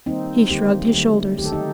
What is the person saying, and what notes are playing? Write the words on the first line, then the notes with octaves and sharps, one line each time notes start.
He shrugged his shoulders.
D#3 G3 A#3 C4 D#4
D3 G3 A#3 D#4 G4
D3 F#3 A3
D#3 A3 G4
A4
D#4 G4